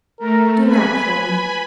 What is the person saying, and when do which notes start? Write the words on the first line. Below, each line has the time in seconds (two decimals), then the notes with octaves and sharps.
Do not kill me.
0.19 A3 A#4
0.66 B4 G#5 B5